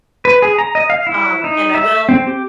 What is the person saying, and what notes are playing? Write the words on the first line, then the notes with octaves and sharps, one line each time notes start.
um, and I will
B4
G#4
A#5
D#5
F5
E4
D#4
E5
C4
G4